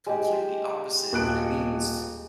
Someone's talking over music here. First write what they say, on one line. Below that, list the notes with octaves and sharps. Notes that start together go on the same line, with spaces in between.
completely opposite, but it means
G#3 G4
D#1 F#6 D7